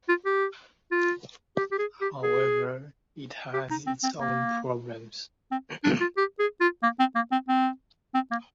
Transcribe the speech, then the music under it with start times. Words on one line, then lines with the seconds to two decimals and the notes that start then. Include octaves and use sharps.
However, it has its own problems.
0.09 F4
0.25 G4
0.92 F4
1.57 G4
1.72 G4
1.79 G#4
2.01 G4
2.23 G#4
3.54 G4
3.71 D#4
3.87 C4
4.04 C4
4.20 A#3
5.51 C4
5.84 D4
6.01 F4
6.17 G4
6.39 G#4
6.61 F4
6.83 A#3
7.00 C4
7.15 A#3
7.32 C4
7.48 C4
8.14 C4
8.31 A#3